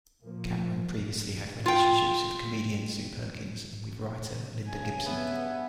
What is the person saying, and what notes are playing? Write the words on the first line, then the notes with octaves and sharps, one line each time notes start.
Cameron previously had relationships with comedian Sue Perkins and with writer Linda Gibson.
A#2 F3 A#3
F4 G5
G2 C#3 G#5
B3 E5